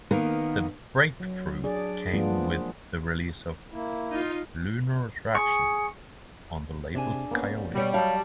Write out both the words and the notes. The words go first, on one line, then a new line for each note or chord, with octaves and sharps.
The breakthrough came with the release 'Lunar Attraction' on the label Koyote.
D#3 A#3 B3
F#3
D4 G#4 D5
F3 G#3 A#3 B3 D4 F4
A#3 E4
D#4 F4
G#4 C#6
C3 D4 G#4 G#5
A#3 B3 C#4
G3
B2 G3 C#5
F#3 C#5 D#5 F5 A5